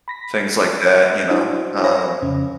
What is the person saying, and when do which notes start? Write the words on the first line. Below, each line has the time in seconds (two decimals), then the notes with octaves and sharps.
things like that, you know, um,
0.08 B5 A#6 B6
1.30 D4 E4 F#4 C5
1.84 C5 C#5 F5 G#5 B5 A#6
2.22 F2 C#3 C#4